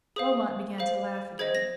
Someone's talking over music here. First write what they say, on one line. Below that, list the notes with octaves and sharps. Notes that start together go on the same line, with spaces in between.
Beaumont began to laugh again.
G#4 C5 F5 D#6
G#4 C5 F5
G#4 C5 D#5 G#6
A#6